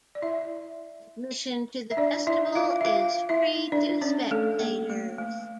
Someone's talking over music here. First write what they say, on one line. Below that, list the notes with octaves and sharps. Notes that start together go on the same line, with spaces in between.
Admission to the festival is free to spectators.
D5
E4 E5
E5
D4 D5
E4 E5
F4 F5
E5
F4 F5
E4 E5
D4 D5
C#4 C#5
A3 A4
A#3
A3
A3